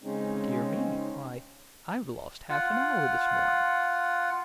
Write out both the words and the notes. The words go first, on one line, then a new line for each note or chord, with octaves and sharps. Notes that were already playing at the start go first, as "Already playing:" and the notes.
"Dear me--why, I've lost half an hour this morning!"
C#3 G#3 C4 C#4 D#4
F4 F#5